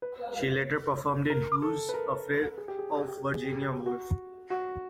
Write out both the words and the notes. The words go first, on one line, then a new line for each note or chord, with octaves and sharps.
She later performed in Who's Afraid of Virginia Woolf?
B4
A#4
A4
B4
A#4
G#4
G4
G#4
G4
G#4
G4
G#4
G4
G#4
G4
G#4
G4
F#4
F#4